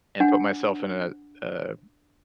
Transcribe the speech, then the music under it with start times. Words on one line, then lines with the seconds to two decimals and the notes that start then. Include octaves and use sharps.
and put myself in a, uh,
0.20 D4 F#5 G#5